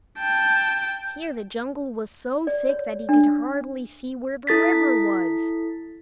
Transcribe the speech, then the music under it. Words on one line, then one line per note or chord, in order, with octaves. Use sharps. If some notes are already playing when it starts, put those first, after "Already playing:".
Here the jungle was so thick that he could hardly see where the river was.
G5 A5
D5
C#5
D4
E4 A4 A6 B6